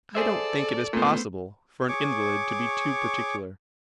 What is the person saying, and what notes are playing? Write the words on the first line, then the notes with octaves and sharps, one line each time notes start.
I don't think it is possible for an invalid to be too particular.
G#4 A4 C5 D5 E5
A#2 A3 B3 C#4 C5
G#4 C#5 C#6 D6